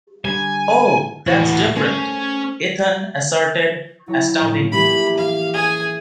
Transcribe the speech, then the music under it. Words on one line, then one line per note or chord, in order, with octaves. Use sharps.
"Oh, that's different," Ethan asserted astoundingly.
D3 G3 G#5
A2 E3 F#4
A3 C#4 A#4 C5
F#3 E4 C#5 A#5
A2 F3
E3 A#3 C#4 G4 B5
F5
G#4 G#5